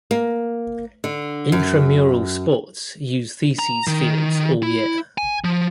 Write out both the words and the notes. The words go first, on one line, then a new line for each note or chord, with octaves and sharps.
Intramural sports use theses fields all year.
A#3
D3
F#2
A#5
D#3
E4
G#5
F3